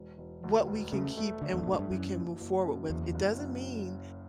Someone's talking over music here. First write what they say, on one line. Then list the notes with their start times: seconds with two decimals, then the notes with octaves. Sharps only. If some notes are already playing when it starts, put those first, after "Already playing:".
what we can keep and what we can move forward with. It doesn't mean
Already playing: E1
0.18 E1
0.44 D2
0.67 E1
0.92 C#3 A3
1.17 A3
1.42 D3 D4
1.54 E2
1.61 A2
1.66 B2 D4
1.73 A2
1.79 G2
1.91 F#2 E3
2.16 F#1
2.41 F#1
2.65 F#2
2.90 F#1 E2
3.14 F#1
3.39 F#2